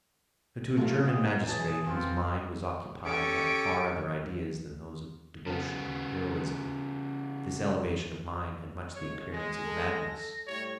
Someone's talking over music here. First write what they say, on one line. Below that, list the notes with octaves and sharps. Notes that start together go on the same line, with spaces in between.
But to a Genevan magistrate, whose mind was occupied by far other ideas than those of devotion and heroism, this elevation of mind had much the appearance of madness.
F#3 A3 A#3 F4
A#2 B3 F4 D#6
B1 E3 F#3 G#4 A5
F2 F#3 B3 C4 F4
C#4 G4 A4 C#6 D7
C#3 B3
C2 G#2 F3 C#5
G#3 A#6
A4
A2 G3 C#5